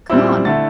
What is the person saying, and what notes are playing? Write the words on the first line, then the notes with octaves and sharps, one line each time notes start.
Come on,
A#2 G3 C4 E4 E6
D3 A3 E4 A6